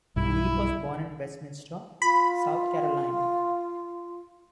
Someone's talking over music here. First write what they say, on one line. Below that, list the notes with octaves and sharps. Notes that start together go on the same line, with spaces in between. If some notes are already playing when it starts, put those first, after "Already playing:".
Lee was born in Westminster, South Carolina.
B1 G2 E4
F4 B5